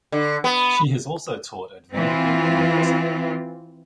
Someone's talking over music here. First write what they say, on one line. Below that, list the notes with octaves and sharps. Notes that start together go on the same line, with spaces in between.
She has also taught at Vanderbilt University.
D3
B3
E3 C4 F4